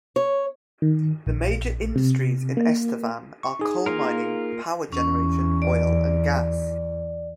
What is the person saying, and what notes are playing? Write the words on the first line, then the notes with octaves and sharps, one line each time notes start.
The major industries in Estevan are coal mining, power generation, oil and gas.
C#5
D#3
A#1
C3
A#3
C#6
D#4 G#4
A#3 F4 A#4
E2 C#4 C#6
D5